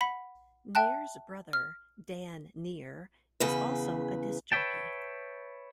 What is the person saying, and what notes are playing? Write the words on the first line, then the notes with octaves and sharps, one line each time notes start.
Neer's brother Dan Neer is also a disc jockey.
F#5 B5 B6
E5 G5 A5 F#6
F6
E2 C#3 B4
B4 C#5 D#5 E5 G5 A5